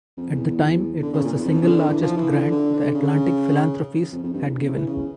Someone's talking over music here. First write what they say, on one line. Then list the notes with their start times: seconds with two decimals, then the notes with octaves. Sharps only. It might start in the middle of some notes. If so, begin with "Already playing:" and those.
At the time, it was the single largest grant the Atlantic Philanthropies had given.
0.17 F2
0.32 E2
0.46 E2
1.02 D3
1.14 C#3
1.24 A#2
1.35 E2
1.45 F2
1.62 C#3
1.67 D3
1.88 E3
2.02 F3
2.17 E3
2.31 D3
2.52 D3
2.73 D3
2.94 C#3
4.12 F2
4.23 F2
4.33 G2
4.45 E2
4.55 E2
4.65 C#3
4.76 E3
4.87 C#3